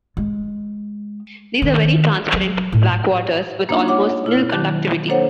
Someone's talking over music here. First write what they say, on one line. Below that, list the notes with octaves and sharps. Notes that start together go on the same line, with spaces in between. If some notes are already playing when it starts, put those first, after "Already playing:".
These are very transparent blackwaters with almost nil conductivity.
G#3
D#3
F#3
A2
A#3 D4 D#4 F4
F4 C#5 F#5 D6
B2 E4 F6
D#3 F#3 A5 D6 F#6
A#3 D4 A4 C5 C#5 F#5